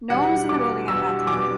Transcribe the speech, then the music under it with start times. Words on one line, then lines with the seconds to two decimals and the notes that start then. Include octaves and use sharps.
No one was in the building at that time.
0.10 E2 B2 G3 D4 F#5
0.49 E2 B2 G3 D4 D6
0.88 E2 B2 G3 D4 E6
1.26 E2 B2 G3 D4 D6